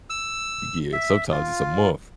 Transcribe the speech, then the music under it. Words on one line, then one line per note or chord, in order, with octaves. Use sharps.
Yeah, sometimes it's a month.
E6
E5
F4